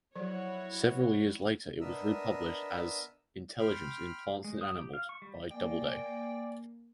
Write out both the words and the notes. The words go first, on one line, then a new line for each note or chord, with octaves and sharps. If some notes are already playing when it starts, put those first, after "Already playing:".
Several years later it was republished as "Intelligence in Plants and Animals" by Doubleday.
F3 F#3 E4 F#4 C#5 D5
B3 D4 A#4 D#5 E5 E6
G5 B5 C6 F6
G#3
D#6
G4
F5
C#6
G3
A#3 D5 G5 G#5